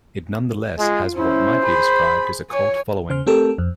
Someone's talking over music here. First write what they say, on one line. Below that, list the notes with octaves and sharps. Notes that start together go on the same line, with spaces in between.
It nonetheless has what might be described as a cult following.
G#3 F4
C#4 E4 C5
G#4 B5
C#5 G#5
C#3 C5 F6
A3 C4 G4 A4 A#4
F2